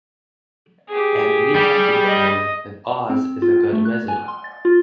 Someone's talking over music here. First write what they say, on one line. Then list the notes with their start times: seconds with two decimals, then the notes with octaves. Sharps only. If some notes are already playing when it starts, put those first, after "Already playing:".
And we have been told that Oz is a good Wizard.
0.89 G4 G#4
1.54 G3
2.06 D#5
3.10 C4
3.42 F4
3.73 A3
3.85 F#6
4.08 G#5
4.28 C6
4.44 A6
4.65 F4